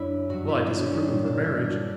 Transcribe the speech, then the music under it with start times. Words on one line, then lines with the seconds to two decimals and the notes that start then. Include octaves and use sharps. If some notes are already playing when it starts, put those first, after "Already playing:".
Well, I disapprove of her marriage.
Already playing: F#2 D4 E4
0.29 G2 F#3 F#4
0.49 E4
0.67 D4
0.87 C#4
1.05 A#2 G3 D4
1.26 D4
1.45 D4
1.64 D4